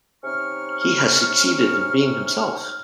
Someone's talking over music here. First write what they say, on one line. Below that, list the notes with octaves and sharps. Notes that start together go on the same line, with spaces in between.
He has succeeded in being himself.
C3 C#4 D#4 C#6 F6